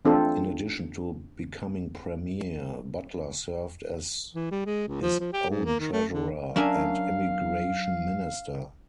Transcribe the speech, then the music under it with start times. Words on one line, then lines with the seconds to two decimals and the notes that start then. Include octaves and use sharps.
In addition to becoming Premier, Butler served as his own Treasurer and Immigration Minister.
0.05 E3 A3 C4 D4 F4 A4
4.34 E3
4.51 G3
4.66 G#3
4.88 C#2
5.02 F3
5.20 F3
5.33 G4
5.50 G#2
5.65 A#3
5.80 D#3
5.93 A3
6.11 D3
6.56 F#3 C#4 D4 A#4 E5 F5 G#5